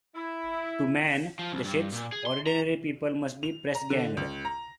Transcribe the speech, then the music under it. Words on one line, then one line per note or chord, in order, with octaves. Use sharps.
To man the ships, ordinary people must be press-ganged.
E4
F3
C2
G2
A#2
G#4
C6
A#5
F7
A#5
D3
C#2
A#5